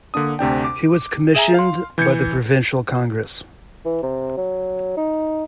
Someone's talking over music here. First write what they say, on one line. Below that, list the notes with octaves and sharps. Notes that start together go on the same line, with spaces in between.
He was commissioned by the Provincial Congress.
D3 A#3 D4 D#6
D2 C3 D4 G5
D6
G#4 E5 G#5 A#5
F5 C6
E3 G6 G#6 C#7
E3
C3
F#3
D#4